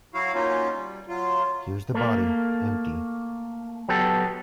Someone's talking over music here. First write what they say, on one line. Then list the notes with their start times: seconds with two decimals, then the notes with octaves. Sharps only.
Here’s the body, empty.
0.14 F#3 E4 F#4 F5
0.34 F#3 A#3 C#4 D#4 F4
0.75 G3
1.08 F#3 F4
1.94 A3 A#3
3.89 F#3 B3 G4 A4